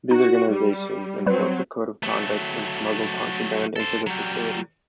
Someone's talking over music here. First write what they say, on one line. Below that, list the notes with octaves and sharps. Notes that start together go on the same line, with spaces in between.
These organizations enforced a code of conduct and smuggled contraband into the facilities.
D#4 F#4
G3
F#3 G3 C4 B4
F#3 A3
A4 C5
F#3 G3